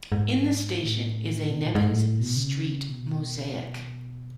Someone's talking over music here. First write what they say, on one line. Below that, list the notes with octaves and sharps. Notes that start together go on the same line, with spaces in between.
In the station is a "Nevins St." mosaic.
G#2
A2
B2
A2
G#2
A2
B2
C#3
B2